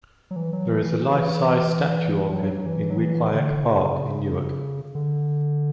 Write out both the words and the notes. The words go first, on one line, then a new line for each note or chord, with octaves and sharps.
There is a life size statue of him in Weequahic Park in Newark.
F#3
E3
F#3
E3
E3
E3
F#3
F#3
E3
F#3
E3
D3
C#3
D3